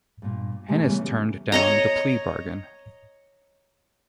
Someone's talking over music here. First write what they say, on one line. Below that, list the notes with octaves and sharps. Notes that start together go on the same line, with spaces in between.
Hennis turned down the plea bargain.
G2 A#2
C3 G#3 A3 G4 G#5
C#3 E3 G3 A3 B3 C#4
C#5 D#5 A#5